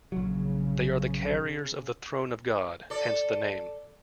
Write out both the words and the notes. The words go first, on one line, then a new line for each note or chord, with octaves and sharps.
They are the carriers of the Throne of God, hence the name.
A#1 C#3 F#3
A4 D5